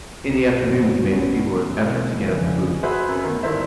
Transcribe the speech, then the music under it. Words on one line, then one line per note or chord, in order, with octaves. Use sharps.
In the afternoon he made a feeble effort to get at the food.
B1 B2
F#1 A2 D3 F#3 B3 C4
B1 D3 B3 C#4
B2 D3 E3 G#3 A#3 C4
F#1 F2 D3 E3 G#3
F#4 G#4 B4 C5 E5
F#2
D#3 A3 B3
G2 D#3 E4 C5 E5